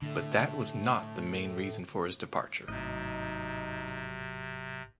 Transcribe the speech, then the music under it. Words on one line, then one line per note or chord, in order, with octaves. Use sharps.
But that was not the main reason for his departure.
A2 D3 A3
G#1 A2 C3 F#3 D#4 D#5